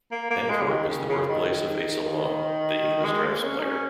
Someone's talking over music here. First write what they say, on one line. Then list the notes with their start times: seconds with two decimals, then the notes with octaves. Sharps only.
Antwerp is the birthplace of Asa Long, the English draughts player.
0.11 A#3
0.30 A#3
0.50 G#3
0.62 C#3
0.69 D#3
0.89 C#3
1.09 C#3
1.28 D#3
3.05 G#3
3.24 A#3
3.44 C#4
3.58 D#4
3.63 C#4